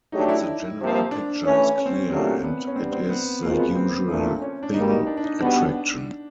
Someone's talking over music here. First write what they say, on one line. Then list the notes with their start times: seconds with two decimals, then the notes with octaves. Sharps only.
But the general picture is clear, and it is the usual thing: Attraction.
0.12 F#3 A3 D4 D#4 G4
0.28 E4
0.78 C3 F3 A#3
1.11 D4
1.44 E3 A3 C#4
1.77 C#4
1.86 C4
1.93 C#4
2.09 A#2 F#3 A3 C4 D4 G4
2.44 B3
2.67 C#4
2.75 G3 B3 C4 D4
2.92 C4
3.10 B3
3.42 B2 G#3 A#3 C4 F4 A#4
3.59 B3
3.70 B3
3.75 C4
4.08 A#2 F3 A3 D4
4.42 C#4
4.63 D4
4.74 B2 G3 A#3 D#4
4.90 D#4
5.07 D4
5.17 D4
5.24 D#4
5.40 B2 G3 B3 D4